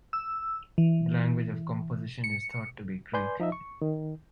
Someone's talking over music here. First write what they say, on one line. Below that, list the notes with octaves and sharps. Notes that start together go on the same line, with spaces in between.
The language of composition is thought to be Greek.
E6
E3
C#7
B4 D5 G#5 C6 G6
F3 D#4 D#5 E5
C#6
D#3